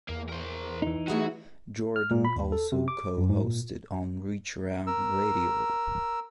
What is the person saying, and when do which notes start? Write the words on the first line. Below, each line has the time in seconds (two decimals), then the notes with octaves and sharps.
Jordan also co-hosted on "Reach Around Radio".
0.09 E2 A#3
0.29 A#4 C5
0.82 E3 D#4
1.08 A3 E4 F#4 G#4 A#5
1.96 F6
2.11 A#2
2.25 B5
2.36 D#2
2.52 A4
2.72 C3
2.88 D6
3.18 F#2
3.30 G#2
3.45 A#2
4.87 A#4 E6